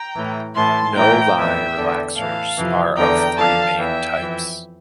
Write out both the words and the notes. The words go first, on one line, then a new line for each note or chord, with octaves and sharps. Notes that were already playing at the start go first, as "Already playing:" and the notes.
"No-lye" relaxers are of three main types.
Already playing: G5 A#5
A2 E3
A2 E3 A5 C6
A2 E3 G5 A#5
E2 E3 E5 G5
E2 D3
A2 E3 F5 A5
F2 C3 E3
E2 D3 G5 A#5
F2 D3 F5 A5
E2 E3 E5 G5
F2 E3